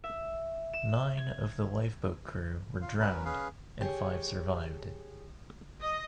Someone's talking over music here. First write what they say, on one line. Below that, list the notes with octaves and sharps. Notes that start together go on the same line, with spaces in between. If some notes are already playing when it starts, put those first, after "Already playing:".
Nine of the lifeboat crew were drowned and five survived.
E5
E7
G#6
F4 F5
F#3 C#4 A#4 B4
C#4 G#4 B4 F5
G4 G#4 C#5
D#5